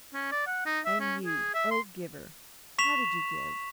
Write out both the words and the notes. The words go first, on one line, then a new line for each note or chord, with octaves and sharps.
And you, O giver! how did you give?
C#4
D5
F#5
D#4
E5
C#4
G#4
E5
C6
C#6 B6 E7 F7